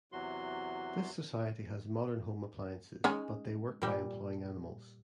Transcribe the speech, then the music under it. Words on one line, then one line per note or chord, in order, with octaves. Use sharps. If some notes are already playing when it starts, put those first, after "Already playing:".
This society has modern home appliances, but they work by employing animals.
E2 C3 E3 F#3 F#4 C6
G#3 C#4 D#4 G#4
A#2 G3